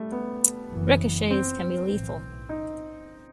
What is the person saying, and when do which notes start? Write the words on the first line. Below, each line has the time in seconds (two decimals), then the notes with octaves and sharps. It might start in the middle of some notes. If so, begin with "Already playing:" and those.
Ricochets can be lethal.
Already playing: G3 A3
0.12 B3
0.71 F#1 F#2 E3
1.31 C4
1.90 B1 A2 E3
2.49 D#4